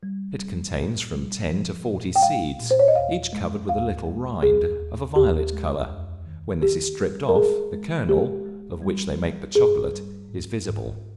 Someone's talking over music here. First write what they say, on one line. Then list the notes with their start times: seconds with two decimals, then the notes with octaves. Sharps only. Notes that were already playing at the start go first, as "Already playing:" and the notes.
It contains from ten to forty seeds, each covered with a little rind, of a violet color; when this is stripped off, the kernel, of which they make the chocolate, is visible.
0.03 G3
0.39 G3
0.76 A#2
1.13 G3
1.49 F3
1.86 A#2
2.16 G5
2.22 G#3 F5
2.59 A#2
2.71 C5
2.79 C#5
2.88 D#5
2.95 D#2 F5
3.33 G#3
3.69 D#2 F5
4.06 G#3
4.43 D#2 G#4
4.79 D#2
5.16 D#2 G4
5.53 G#3
5.89 F2
6.26 D#3
6.62 D#3 G4
7.00 G3
7.29 A#4
7.36 G#3 G#4
7.73 G#3
8.09 G#3 G4
8.46 G#3
8.82 G3
9.19 G3
9.55 G2 G#4
9.93 G3
10.29 G#2
10.66 G#2